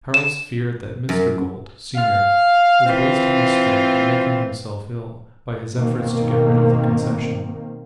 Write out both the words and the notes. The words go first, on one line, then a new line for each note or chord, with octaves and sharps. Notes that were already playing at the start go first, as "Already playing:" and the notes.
Charles feared that Mr. Gould, senior, was wasting his strength and making himself ill by his efforts to get rid of the Concession.
E7
F#2
F5
E3 C4 F4
B2 D#3 A#3 C4